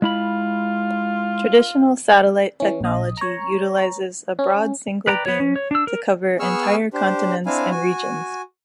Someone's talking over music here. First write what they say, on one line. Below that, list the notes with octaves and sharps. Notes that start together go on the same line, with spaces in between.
Traditional satellite technology utilizes a broad single beam to cover entire continents and regions.
G#3 E4 F4 B5
E3 C#4
A#1 D#5
C#5 A#5
C#4
B4 D5 G5 A#5
B3 C#5
C#4
C#5
D4 E6
A#4
B3 G#4 C#6 E6 F6
D4 G4 C5
C4 D4 E4 F5 G#5
F#4 G#5